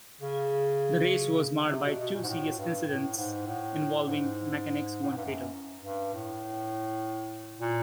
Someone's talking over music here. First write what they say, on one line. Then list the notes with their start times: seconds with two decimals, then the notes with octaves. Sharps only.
The race was marred by two serious incidents involving mechanics, one fatal.
0.21 C#3
1.69 C3
1.84 B2
1.99 B2
2.14 A#2
2.23 G#2
2.28 A2
2.58 G2
2.88 A2
3.17 G#2
3.47 A2
4.06 G#2
5.03 A2
5.10 G#2
5.17 G2
5.24 F#2
5.83 G2
6.14 A2
7.61 A#2